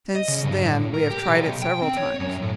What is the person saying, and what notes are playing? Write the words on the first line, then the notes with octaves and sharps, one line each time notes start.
Since then we have tried it several times.
D#5
C#3
G2
A2
A#4
G4
B1
G5
C4
C#5
F#2
A2